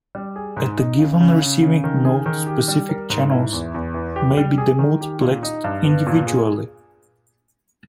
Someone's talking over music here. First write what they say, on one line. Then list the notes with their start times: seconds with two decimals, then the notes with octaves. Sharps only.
At a given receiving node, specific channels may be demultiplexed individually.
0.15 G3
0.36 G#4
0.57 G#2
0.78 D#4
0.99 C#3
1.21 C#3
1.42 C#3
1.63 C#3
1.84 D#3
2.05 G#4
2.26 D#3
2.47 G4
2.68 G3
2.89 A#4
3.10 G#2
3.32 E4
3.53 E2
3.74 E2
3.94 E3
4.16 G4
4.37 G3
4.58 G#4
4.79 D#3
5.01 G4
5.21 A#2
5.43 D#4
5.64 G2
5.85 B3
6.07 A#2
6.27 G#4